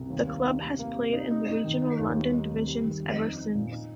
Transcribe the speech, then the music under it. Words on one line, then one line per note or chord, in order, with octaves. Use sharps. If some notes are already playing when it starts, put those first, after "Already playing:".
The club has played in the regional London divisions ever since.
Already playing: C2
D#2
A#3
D#4
C3
A#3
C3
D#4
D#4
D#4
D#3
D#4
D#2
G3
D#4
C3
G3
D#3
F2
D#4
D#4
A#2
D#4